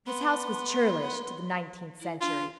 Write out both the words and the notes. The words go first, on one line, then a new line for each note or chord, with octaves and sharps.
This house was churlish to the nineteenth century.
B3 C6
E4
D4 F4